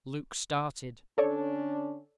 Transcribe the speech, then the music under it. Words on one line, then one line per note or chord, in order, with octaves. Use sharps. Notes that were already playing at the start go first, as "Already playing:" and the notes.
Luke started.
D3 C#4 D4 A4 C#5 D5